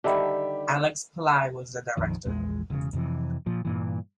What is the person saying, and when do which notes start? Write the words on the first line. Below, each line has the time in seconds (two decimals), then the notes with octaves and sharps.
Alex Pillai was the director.
0.04 D3 D#3 G3 G4 E5 B5
1.97 A#1 F2 D#3
2.25 A#1 E2 G#3
2.70 E1 C#3
2.93 F2 C3 E3
3.46 A#2 F3
3.65 G2 A#2 E3